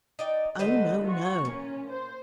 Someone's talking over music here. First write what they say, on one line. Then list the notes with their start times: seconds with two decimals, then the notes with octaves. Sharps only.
O no, no.
0.19 D#4 D5 G5
0.59 D3 G#3 D#4 F#4 B4 C5
1.04 F4 F#4 C#6
1.45 A#2 A#3 C#4
1.91 C5